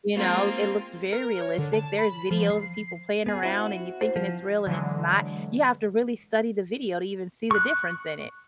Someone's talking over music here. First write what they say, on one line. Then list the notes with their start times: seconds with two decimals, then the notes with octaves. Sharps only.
You know, it looks very realistic. There is videos of people playing around and you thinking it's real and it's not. You have to really study the video to even see the difference in it.
0.15 G#3 A#3 C4 F4
1.13 A#4
1.41 C#5
1.58 D3
1.73 A5
1.99 B5
2.30 F3
2.50 C7
3.26 B3 G#4
3.43 C4 E4 F#4
4.01 C5
4.16 F3
4.67 D3 E3 F#3 G#3
7.51 C#6 F#6